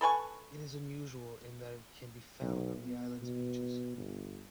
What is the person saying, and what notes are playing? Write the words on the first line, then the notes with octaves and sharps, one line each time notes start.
It is unusual in that it can be found on the islands' beaches.
A4 B4 G#5 C#6
B1
B3
B2
G1